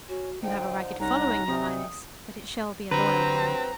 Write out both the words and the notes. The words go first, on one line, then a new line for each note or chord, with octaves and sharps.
You have a ragged following, your highness, but it shall be a loyal one.
C#4 F#4
D3 F3 D#4 G5
C2 G#3 C#4 D#4 F#4 A#5
C3 E3 G3 D#4 D#6
G2 D3 F#3 C4 B4 A#5